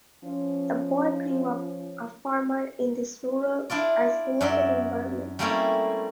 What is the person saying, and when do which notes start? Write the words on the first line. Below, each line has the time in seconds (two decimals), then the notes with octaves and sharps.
The boy grew up a farmer in this rural, isolated environment.
0.23 F3 C#4
3.70 D4 E4 F4 D5
4.41 F#2 D5 E5 C6
5.39 G3 A3 A#3 C4 C#4 E4